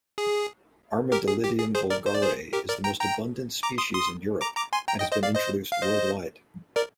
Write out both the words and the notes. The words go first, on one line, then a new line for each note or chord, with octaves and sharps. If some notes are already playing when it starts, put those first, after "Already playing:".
"Armadillidium vulgare" is the most abundant species in Europe and has been introduced worldwide.
G#4
G4 A#4
G#4
G4
G#4
G#4 C5
A#4 D5
C5
D5
G#4 C5
G4 A#4
A#4 D5
G5 A#5
G5 A#5
A#5 D6
C6 D#6
C6 D#6
A#5 D6
A#5 D6
G#5 C6
G5 A#5
D#5 G5
C5 D#5
D5 F5
C5 D#5
F5
C5 D#5
A#4 D5